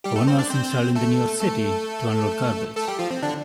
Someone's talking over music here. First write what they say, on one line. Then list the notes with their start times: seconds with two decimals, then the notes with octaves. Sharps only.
One was installed in New York City to unload garbage.
0.04 G3 G4
0.16 A3 A4
0.27 C4 C5
0.39 D4 D5
0.50 C4 C5
0.95 A3 A4
1.41 A3 A4
2.76 A3 A4
2.88 G3 G4
2.99 F3 F4
3.11 C4
3.22 D3 D4